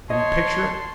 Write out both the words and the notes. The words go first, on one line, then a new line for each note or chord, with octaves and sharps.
Can you picture it?
C#5 D#5 A5 C6